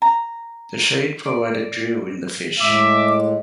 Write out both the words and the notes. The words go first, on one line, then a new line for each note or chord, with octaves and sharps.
The shade provided drew in the fish.
A#5
D5
A2 G#3 E5 D6